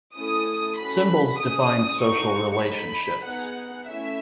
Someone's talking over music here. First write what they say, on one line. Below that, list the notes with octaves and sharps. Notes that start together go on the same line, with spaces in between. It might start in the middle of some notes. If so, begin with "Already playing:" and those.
Symbols define social relationships.
A3 C#4 E4 A4 D#6
C#4 F#4 A4 B5
C#4 G#4 D#6
D#4 F#4 A4 C#6
D#4 A4 B5
B3 D#4 G#4 F#5
A3 C#4 E4 E5